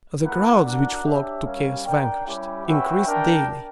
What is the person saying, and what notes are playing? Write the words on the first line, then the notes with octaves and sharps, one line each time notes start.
The crowds which flocked to "Chaos Vanquished" increased daily.
A#3 E4 B4 F#5
D4 F#4 A#4 D5 F#5
D4 G4 C#5 E5
G3 A#3 C#4
D4 A#4 D5 G5
G3 C#4 E4 G4
C#4 F#4 B4 E5 G5
D4 A#4 D5 G5